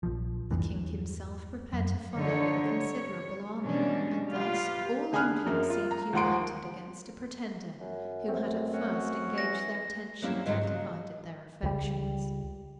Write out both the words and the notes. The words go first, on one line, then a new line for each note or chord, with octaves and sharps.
The king himself prepared to follow with a considerable army; and thus all England seemed united against a pretender who had at first engaged their attention and divided their affections.
A#1 F3
E2 G2 E3
F#2
D3 F3 D#4 C#5
G3 C#5
B2 E3 G3 G#3 C#4 D4
F4 G4 B4 F5
D3 G#4 G#5 B5 F6 F#6
F#2 A#3
F4
A#5
D#2 F3 F#5 C6 D7
F#2
A3 C4
F#3 C#4
E3 A#6
F#3 G3 A#3 C4 C#4 E4
G#2 D#3 F#3 G#3 C4 E4
C#3 F#3
C#2 G3